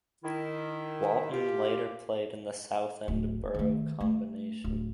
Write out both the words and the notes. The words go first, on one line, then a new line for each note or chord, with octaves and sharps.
Walton later played in the Southend Borough Combination.
D#3 E4
F4 G4
D1
D#3 A3
A3
D1